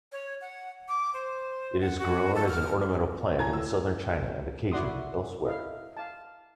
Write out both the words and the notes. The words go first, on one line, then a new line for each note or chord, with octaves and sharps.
It is grown as an ornamental plant in southern China and occasionally elsewhere.
C#5
F#5
D6
C5
F#5
F#4
A4
F6
A2 G#5 A#5 G#6
E6
E4 F#4 D5 F#5 C6 D#6
E4 D#5 F5
F5 A5